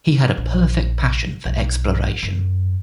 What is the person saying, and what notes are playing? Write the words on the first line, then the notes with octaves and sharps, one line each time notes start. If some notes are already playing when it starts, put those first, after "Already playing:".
He had a perfect passion for exploration.
A#1
B1
F#2